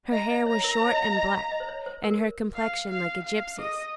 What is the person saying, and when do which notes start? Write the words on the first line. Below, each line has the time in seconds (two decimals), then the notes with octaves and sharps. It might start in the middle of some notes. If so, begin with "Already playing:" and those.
Her hair was short and black, and her complexion like a gypsy's.
0.12 D#5 A#5
0.30 D#5
0.46 C#5 A#5
0.64 A#4
0.81 C#5
0.92 D#5
0.99 F5
1.16 D#5
1.34 F5
1.51 D#5
1.60 C5
1.69 C#5
1.86 C5
2.03 A#4
2.55 F5
2.90 F5
3.24 F5
3.59 G#4 D#5